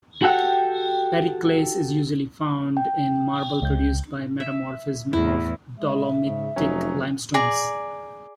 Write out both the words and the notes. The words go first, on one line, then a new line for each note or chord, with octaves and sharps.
Periclase is usually found in marble produced by metamorphism of dolomitic limestones.
F#4 G4 A4 F#5 G5
G5
C#2 G6
E5
E2 A2 E4
G#3 E5
G#2 C#3
F1 F#3 C#4 D#4
G#4 D5 A#5